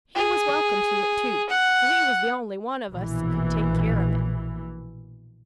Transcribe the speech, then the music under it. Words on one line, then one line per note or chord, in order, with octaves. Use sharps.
He was welcome to it too, for he was the only one of us that could take care of it.
G#4
F#5
A#1 B2 E3